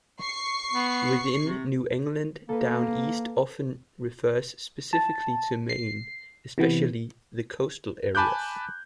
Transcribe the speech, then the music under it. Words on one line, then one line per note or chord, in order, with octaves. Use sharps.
Within New England, "Down East" often refers specifically to Maine, especially the coastal areas.
C#6 C7
B3
C3
A#3 A4 B4
A5
C7
C3 E3 B3
G#5 A5 B5 D6 F#6 G6